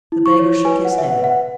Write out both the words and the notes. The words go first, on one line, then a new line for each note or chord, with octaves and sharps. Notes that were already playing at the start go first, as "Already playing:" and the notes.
The beggar shook his head.
E4
C#6
C#5
B4 G#5
F#5
B4
E5
F#5
B4
F#5